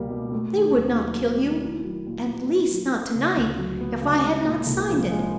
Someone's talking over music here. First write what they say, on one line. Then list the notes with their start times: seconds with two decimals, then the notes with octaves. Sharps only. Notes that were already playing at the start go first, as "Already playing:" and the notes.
They would not kill you; at least, not tonight, if I had not signed it.
Already playing: C#2 B2 G3 A#3
0.10 B2
0.32 A3
0.54 D#3
0.76 D#2
0.98 F#3
1.19 A3
1.42 D#3
1.63 E4
1.84 F#3
2.07 A#2
2.27 B3
2.50 E4
2.71 F#3
2.93 B3
3.15 C#3
3.37 D2
3.58 F#3
3.80 B3
4.01 C#3
4.24 G#3
4.46 A#2
4.67 C2
4.89 F3
5.11 G#3